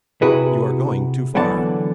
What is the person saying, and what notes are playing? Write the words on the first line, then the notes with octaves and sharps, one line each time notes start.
You are going too far!
C3 E4 F#4 G#4 B4
D3 E3 F#3 B3 F#5 A5